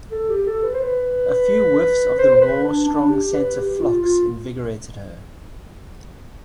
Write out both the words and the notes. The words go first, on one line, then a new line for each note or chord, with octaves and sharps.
A few whiffs of the raw, strong scent of phlox invigorated her.
A4
G4
A4
B4
C5
B4
C5
C5
B4
D4
D4
G4
B4
G4
F4
F4